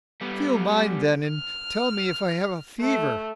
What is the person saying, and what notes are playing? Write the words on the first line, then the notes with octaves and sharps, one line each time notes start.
"Feel mine then and tell me if I have a fever."
G3 B3
F6
A3